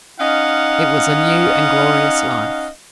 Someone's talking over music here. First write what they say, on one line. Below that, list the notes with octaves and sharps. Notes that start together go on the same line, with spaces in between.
It was a new and glorious life.
C#4 D#4 D#5 F5 F#5